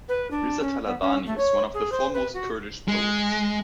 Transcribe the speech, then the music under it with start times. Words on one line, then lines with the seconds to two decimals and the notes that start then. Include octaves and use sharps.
Riza Talabani is one of the foremost Kurdish poets.
0.08 B4
0.30 D4
0.61 C#4
0.85 B3
1.00 C#4
1.25 A3
1.37 C#5
1.73 G#4
1.92 C5
2.13 B4
2.33 F#4
2.88 G#3